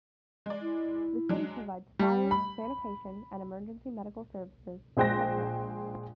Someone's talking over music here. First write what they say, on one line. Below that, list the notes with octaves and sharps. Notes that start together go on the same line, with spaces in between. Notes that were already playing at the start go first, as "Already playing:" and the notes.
The city provides fire, sanitation, and emergency medical services by contract.
G#3 D5
E4
F#3 G#3 D4
G3
B5
A#1 G#3 C5 G5 F#6 A#6